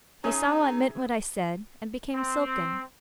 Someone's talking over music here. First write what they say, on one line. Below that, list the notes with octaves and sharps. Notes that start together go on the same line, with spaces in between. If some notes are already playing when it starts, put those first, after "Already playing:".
He saw I meant what I said, and became silken.
C#4 D#4 G#4 E5
C4